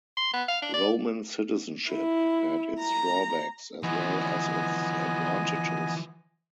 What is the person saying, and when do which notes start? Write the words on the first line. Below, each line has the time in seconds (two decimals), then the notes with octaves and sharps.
Roman citizenship had its drawbacks as well as its advantages.
0.17 C6
0.33 B3
0.48 F5
0.62 D4
0.74 D5
1.90 E4
2.81 A#5
3.83 E3 F3 B3 D#5 G#5